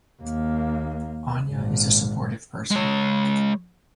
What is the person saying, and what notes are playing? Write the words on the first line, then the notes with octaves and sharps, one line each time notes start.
Anja is a sportive person.
D#2 A#3
G#1 A#2
G#3 C#5